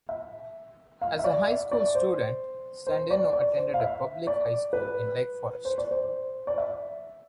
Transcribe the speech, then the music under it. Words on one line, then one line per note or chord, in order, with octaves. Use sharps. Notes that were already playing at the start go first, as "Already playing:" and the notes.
As a high school student, Sandeno attended a public high school in Lake Forest.
E5
F5
E5
D5
E5
D5
C5
C5
D5
D5
C5
F5
E5
D5
B4
C5
D5
C5
D5
E5